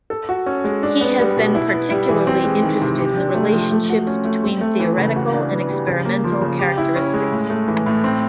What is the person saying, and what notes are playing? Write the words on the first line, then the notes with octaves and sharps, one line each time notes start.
He has been particularly interested in the relationships between theoretical and experimental characteristics.
A4
F#4
C#4
G#3
D4
B3
G3
B2
E4
B3
G3
E3
C4
G#3
D#3
C3
G4
D4
A3
F3
A3
F#4
C#4
A3
C4
A3
E3
C#3
F#4
D4
B3
G3
C#3
A#3
F3
C#3
G4
E4
C#4
G#3
A2
A3
E3
A2
C4